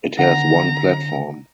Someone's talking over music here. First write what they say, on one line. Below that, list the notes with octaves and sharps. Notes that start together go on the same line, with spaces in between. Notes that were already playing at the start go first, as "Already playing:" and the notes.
It has one platform.
D3 F#5 A#5